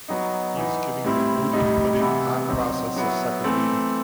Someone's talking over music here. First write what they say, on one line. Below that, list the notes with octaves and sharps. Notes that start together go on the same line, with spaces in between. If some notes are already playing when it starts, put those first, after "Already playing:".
He is giving the boot-putting-on process a second meaning.
F#3 B3 D#4
E3 B3 D#4
A2 G3 C4 E4
A2 G3 D#4
C3 E3 B3 E4
F#3 C4 D#4
F#3 B3 E4
E3 A3 C4